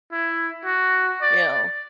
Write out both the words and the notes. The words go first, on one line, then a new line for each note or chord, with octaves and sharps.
you know?
E4
F#4
D5